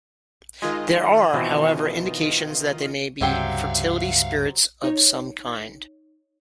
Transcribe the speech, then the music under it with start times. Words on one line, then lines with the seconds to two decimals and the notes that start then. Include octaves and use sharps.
There are, however, indications that they may be fertility spirits of some kind.
0.62 D#3 G#3 F4 D#5
1.34 B2 E3 C4
3.21 C#2 G2 C3 F#3 E5 F5 G5
4.84 D#4 C#5